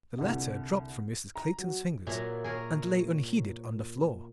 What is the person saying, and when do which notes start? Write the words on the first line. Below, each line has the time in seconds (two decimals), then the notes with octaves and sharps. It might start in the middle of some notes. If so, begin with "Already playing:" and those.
The letter dropped from Mrs. Clayton's fingers and lay unheeded on the floor.
0.18 C2 D3
1.36 A#5
1.58 F#3
2.07 A#2 F#3 G#4 E5 A#5
2.44 G#4 A#4 C#5